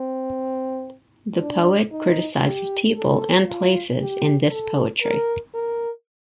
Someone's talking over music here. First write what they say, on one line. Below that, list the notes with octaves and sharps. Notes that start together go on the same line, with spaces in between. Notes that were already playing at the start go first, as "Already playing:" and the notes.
The poet criticizes people and places in this poetry.
Already playing: C4
D4
D#4
G4
A4
F4
G4
A4
A#4
A#4